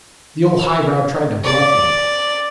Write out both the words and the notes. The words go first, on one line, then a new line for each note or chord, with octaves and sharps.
'The old high-brow tried to bluff me.
D5